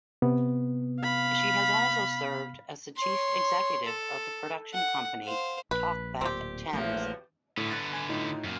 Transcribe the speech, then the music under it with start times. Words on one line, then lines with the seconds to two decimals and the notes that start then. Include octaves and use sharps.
She has also served as the Chief Executive of the production company Talkback Thames.
0.22 C3 B3
1.01 F5 B5
2.97 C#5 C6
3.85 A4
4.74 F#5
5.24 C5 F5
5.71 A#1 B4
6.21 D1 A#2 C4 G4
6.73 A#1 E2 F3 F#3 A3 A#3
7.57 A2 D3 B3
7.71 F#6 G#6 A6
7.93 G#5 G#6
8.09 A2 D#4 F4
8.44 F#2 A#2